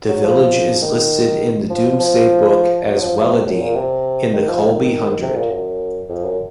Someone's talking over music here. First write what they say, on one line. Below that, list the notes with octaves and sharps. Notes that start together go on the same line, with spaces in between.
The village is listed in the Doomsday Book as 'Weledene', in the Colby Hundred.
F#3
F3
D#3
F3
F3
F#3
F3
F3
C3
F#2
A#2
C3
D#3
F3
D#3
C3
A#2
F#2
F2
F#2